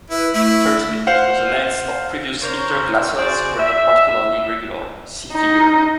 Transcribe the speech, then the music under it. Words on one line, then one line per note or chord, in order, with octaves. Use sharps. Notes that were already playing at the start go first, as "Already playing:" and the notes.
Firstly, because the lengths of previous interglacials were not particularly regular; see figure.
E4 B4
A3 E4
C5 F5 F#5
A#4 C5 C#5
F#4 G#4 C5 D5
E5
D#4